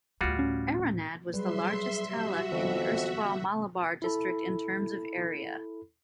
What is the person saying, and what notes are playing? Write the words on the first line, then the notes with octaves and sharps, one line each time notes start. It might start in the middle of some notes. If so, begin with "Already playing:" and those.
Eranad was the largest Taluk in the erstwhile Malabar District in terms of area.
D2 A2 G3 F4 F#4
C#4
F#3 G3 G#4 B4 E5 C6
F#4 G4 E5
F2 D3 E3 B3 B4
E4 A4 B5